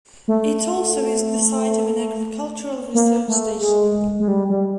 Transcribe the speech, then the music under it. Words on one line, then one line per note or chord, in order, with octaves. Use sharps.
It also is the site of an agricultural research station.
A3
A#3
A3
G#3
G#3
G3
G3